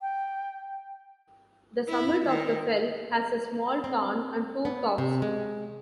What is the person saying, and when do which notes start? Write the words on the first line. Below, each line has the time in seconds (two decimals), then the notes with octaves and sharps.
The summit of the fell has a small tarn and two tops.
0.01 G5
1.88 E4
2.25 D#3
3.84 C4
4.65 B3
4.98 C3
5.22 G#3